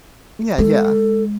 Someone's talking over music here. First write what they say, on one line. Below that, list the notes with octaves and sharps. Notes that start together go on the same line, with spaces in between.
Yeah, yeah.
G#3 A4